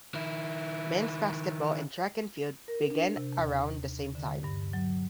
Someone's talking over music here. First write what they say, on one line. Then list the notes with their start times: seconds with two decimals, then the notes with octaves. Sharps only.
Men's basketball and track and field began around the same time.
0.14 D#3 E4
2.68 A#4
2.90 D4
3.17 C3
3.37 D#2
4.15 D3
4.44 G2
4.73 F#3